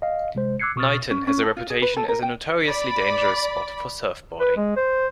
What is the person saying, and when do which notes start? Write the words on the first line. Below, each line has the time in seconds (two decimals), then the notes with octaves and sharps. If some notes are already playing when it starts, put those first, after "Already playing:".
Niton has a reputation as a notoriously dangerous spot for Surfboarding.
0.02 D#5 F5
0.35 C3 G#3 C5
0.60 D6 E6 F#6 G#6 C7 C#7
0.76 B2 C#6 D#6 F6 A6
1.11 C#4
1.27 C#4
1.42 A4
1.57 F4
1.70 G#4
1.82 B4
1.97 A4
2.08 A#4
2.22 G5
2.68 D5 B5
4.40 B4
4.57 G#3
4.77 C5